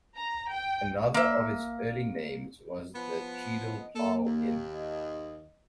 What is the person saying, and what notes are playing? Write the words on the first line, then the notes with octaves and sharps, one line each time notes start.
Another of its early names was the Cheadle Plough Inn.
A#5
G5
A#3 E5
F3 B3 B5
D#5
A#3 A4
D#2
D#5